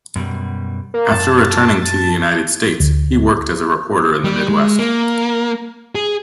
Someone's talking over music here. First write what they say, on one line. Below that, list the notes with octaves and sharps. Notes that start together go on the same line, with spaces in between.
After returning to the United States, he worked as a reporter in the Midwest.
F#2 B2 G3
A#3
F#2 A5
D2
G3
G#3
A#3
G#4